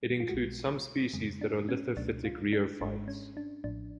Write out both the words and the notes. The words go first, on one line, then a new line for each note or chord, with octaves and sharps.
It includes some species that are lithophytic rheophytes.
F4
B1 B2 G#3 F#4
F2 C#3 G#3
D4
C#4
C#2 B2 F#3 A3 D4
F4
D4
G#1 G#2 G#3 D4
C#4
D4
A1 A2 F3 D4